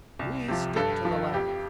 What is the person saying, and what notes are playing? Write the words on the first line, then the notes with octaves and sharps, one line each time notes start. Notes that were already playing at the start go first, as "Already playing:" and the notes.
We stick to the last.
C2
C3 F3
G2 A4
F3
F2 G4